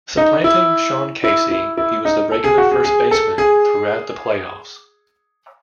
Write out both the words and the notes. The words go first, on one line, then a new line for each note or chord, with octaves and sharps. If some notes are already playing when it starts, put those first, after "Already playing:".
Supplanting Sean Casey, he was the regular first baseman throughout the playoffs.
D#4
E4
E4
E4
E4
D#4
A4
G#4
F#4
G#4
G#4
A4
G#4